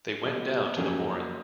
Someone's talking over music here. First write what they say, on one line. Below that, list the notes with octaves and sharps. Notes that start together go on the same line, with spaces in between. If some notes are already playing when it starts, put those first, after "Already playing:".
They went down to the warren.
B2 G3 A#3 D#4
F2 C#3 F#3 A#3 C#4